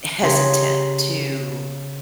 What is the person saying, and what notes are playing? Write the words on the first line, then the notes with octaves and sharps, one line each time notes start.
eh hesitant to,
C#3 G4 A#5 C6